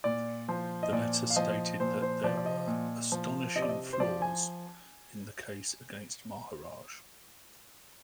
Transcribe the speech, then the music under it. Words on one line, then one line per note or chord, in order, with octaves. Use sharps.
The letter stated that there were 'astonishing flaws' in the case against Maharaj.
A#2 D5
F3 C5
D#5
A#2 D5
F5
F3 D#5
A#2 C5
C5
F3 D5
D5
D#5
A#2
F3
C3 D#5
D5
D#5
C5
F3 D5
G#5